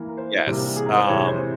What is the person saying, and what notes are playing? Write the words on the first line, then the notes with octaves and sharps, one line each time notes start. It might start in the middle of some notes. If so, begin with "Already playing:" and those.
Y yes, um,
Already playing: E3 A#3
A#4
C5
C3 E3 G3 A#3 C5
G#4
A#4
C5
C3 E3 G#3 C#5
C5